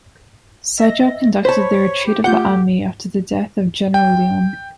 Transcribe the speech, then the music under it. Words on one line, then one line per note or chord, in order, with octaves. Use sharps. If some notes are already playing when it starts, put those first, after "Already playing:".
Sigel conducted the retreat of the army after the death of General Lyon.
D#5 E5 A#6
C5 C#5 A5 B5
G4
A3 F4 G4 F#5 G6
G5